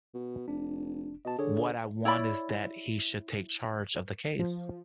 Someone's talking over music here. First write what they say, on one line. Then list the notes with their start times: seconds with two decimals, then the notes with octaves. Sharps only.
What I want is that he should take charge of the case.
0.14 B2
0.48 F1 D4
1.25 B2 D#5 A5
1.39 D3 G#4 A4 C#5
2.05 E4 C#5 D5 B5
4.39 F3